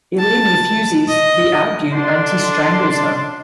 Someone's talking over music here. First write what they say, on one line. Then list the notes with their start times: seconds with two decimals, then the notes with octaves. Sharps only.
Elaine refuses, they argue, and he strangles her.
0.19 A5
1.08 D#5
1.93 D3 D4 C6